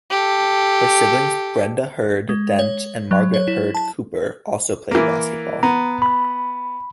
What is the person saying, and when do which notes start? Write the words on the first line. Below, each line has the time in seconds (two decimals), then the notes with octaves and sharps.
Her siblings Brenda Heard Dent and Margaret Heard Cooper also played basketball.
0.10 G4 A4
2.29 G#3
2.59 C#5
3.11 F#3
3.34 C#5
3.48 E4
3.75 A5
4.91 E3 A#3
5.63 B3 A#5
6.02 B5